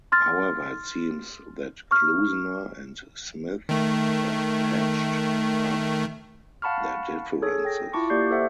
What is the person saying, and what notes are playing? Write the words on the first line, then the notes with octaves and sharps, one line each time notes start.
However it seems that Klusener and Smith have patched up their differences.
C6 F6 A6
C#6 F6
D#3 A3
F5 F#5 A5 B5 C#6 F6
G#4 A4 C#5
G5 A#6
E4 F4 A5 C#6 D6
A#3 G4 D5 C#6 G6 C7
A4 C5 E5 F#5